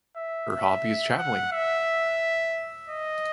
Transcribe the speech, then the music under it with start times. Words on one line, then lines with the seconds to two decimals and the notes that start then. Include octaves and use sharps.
Her hobby is travelling.
0.16 E5
0.51 E5
1.18 F#5
1.53 E5
2.89 D#5